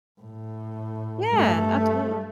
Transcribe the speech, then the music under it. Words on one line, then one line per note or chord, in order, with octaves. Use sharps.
Yeah, absolutely.
A2
G2 A3